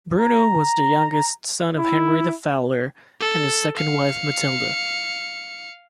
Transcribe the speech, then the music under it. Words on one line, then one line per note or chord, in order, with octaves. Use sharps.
Bruno was the youngest son of Henry the Fowler and his second wife Matilda.
A#5
E4
A4
F5 C#7